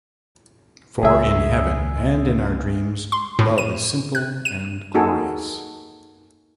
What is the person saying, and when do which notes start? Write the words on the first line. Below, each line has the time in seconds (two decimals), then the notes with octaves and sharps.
For in heaven and in our dreams, love is simple and glorious.
1.03 C#2 G#4 E5
3.12 C6
3.39 A2
3.58 D#7
4.15 F#6
4.45 D#7
4.94 A#3 D#4 F#4 G#4 A4